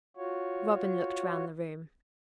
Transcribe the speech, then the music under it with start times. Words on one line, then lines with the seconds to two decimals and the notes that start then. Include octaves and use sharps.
Robin looked round the room.
0.17 F4 F#4 C#5